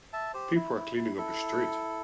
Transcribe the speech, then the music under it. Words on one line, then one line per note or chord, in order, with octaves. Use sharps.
People are cleaning up a street.
E5 A5
G4 C5
E4
E4
E4
E4 A4